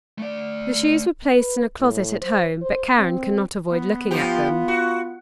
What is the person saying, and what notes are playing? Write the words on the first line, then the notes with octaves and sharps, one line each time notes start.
The shoes were placed in a closet at home, but Karen could not avoid looking at them.
A3 D5
B4
A2
C5
C5
C4
B3
F3 F4 G4
F#4